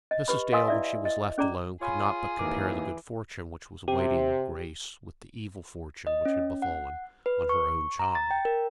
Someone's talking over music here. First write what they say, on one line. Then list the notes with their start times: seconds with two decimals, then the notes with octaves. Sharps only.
Mrs. Dale when she was left alone could not but compare the good fortune which was awaiting Grace, with the evil fortune which had fallen on her own child.
0.11 D#5
0.28 G4 B4 B5
0.52 D#5 F5 G#5 C6 D#6 E6
0.68 E4 D5 E5
1.05 D#5
1.38 C#4 G#4 D5 A#5
1.81 F4 G#4 C#5 G#5 B5
2.39 G#1 D#2 E3 A#4 D6
3.88 C3 G4
6.07 D#5
6.25 C#4
6.62 F#5
7.26 B4
7.49 C#6
7.99 A#5
8.15 A6
8.31 G5
8.45 A#4